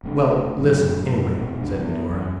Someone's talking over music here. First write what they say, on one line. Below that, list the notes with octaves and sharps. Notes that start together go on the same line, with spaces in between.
"Well, listen, anyway," said Medora.
E1 C3 A3 D4
F#1 A2 F#3
D#1 B2 G#3 C4
F1 C2 D4
E3 B3
F#2 C#4